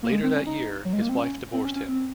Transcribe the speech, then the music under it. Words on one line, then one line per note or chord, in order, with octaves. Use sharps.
Later that year, his wife divorced him.
A#3
G#3
C4
C#4
D#4
F#3
G#3
A#3
C4
C#4
C4
C#4
C#4
C4